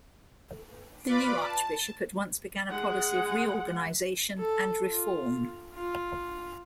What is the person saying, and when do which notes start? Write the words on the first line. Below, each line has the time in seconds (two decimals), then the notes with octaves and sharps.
The new archbishop at once began a policy of reorganisation and reform.
1.07 F4 B4 D5 B5 D6
1.43 A5
2.69 G#3 F#5
4.38 A4
4.88 F4
5.75 F4